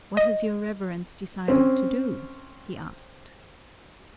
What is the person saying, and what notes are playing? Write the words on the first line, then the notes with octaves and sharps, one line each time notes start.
"What has your Reverence decided to do?" he asked.
D#5
C4 C#4